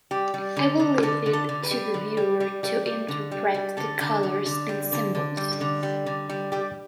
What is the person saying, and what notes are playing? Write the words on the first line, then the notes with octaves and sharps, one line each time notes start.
I will leave it to the viewer to interpret the colors and symbols.
G3 G4
G3
D3
D3
D3 A4
D3
A4
D3
B4
G3
D3
G3
G3
G3
G3
D3
G3
G3
D3 A4
D3
D3
D3
G3
D3
D3
G3
D3
G3
D3
G3
G3 G4